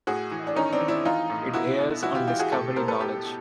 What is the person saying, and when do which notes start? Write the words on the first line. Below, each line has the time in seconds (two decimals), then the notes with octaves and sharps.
It airs on Discovery Knowledge.
0.07 A2 F#4 G#4
0.32 E3
0.47 D4
0.56 D#3 C#4 D#4
0.72 C4 D4
0.81 D#3
0.88 D4 E4
1.05 E3 D#4 F4
1.30 A2
1.53 B2 E4 F#4
1.78 B2
2.02 E3 E4 F#4
2.15 F4 G4
2.27 E3 F4 G4
2.40 F#4 G#4
2.52 A2 G4 A4
2.76 A2 A#4 C5
2.88 A4 B4
3.00 B2 G4 A4
3.25 B2